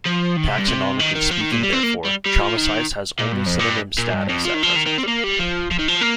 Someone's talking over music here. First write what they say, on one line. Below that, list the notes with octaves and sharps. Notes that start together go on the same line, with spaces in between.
Taxonomically speaking therefore, "Chamaesyce" has only synonym status at present.
F3
D#3
C3
G2
C3
D#3
D#3
F3
D#3
A#2
G3
C4
A#3
G3
G3
F3
D#3
A#2
G2
F2
G2
A#2
G2
F2
F3
D#3
F3
D#3
D#3
C4
G3
A#3
G3
F3
F3
D#3
F3
A#3